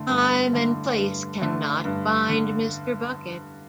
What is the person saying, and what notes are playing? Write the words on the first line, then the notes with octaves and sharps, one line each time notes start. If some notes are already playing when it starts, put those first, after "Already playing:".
Time and place cannot bind Mr. Bucket.
Already playing: D3 A3
G2
D3 A3
G2
D3 A3
G2
D3